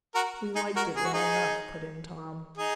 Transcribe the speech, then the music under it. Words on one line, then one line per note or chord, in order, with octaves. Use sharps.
"We liked it well enough," put in Tom.
F#4 A#4
D#4 G#4
F#4 A#4
G#4
F#4
D#4 G#4
D#4 G#4